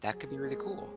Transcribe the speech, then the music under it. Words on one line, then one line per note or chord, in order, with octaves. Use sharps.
that could be really cool.
F#3 G#4
A#3
G#3
A#3
C4
C#4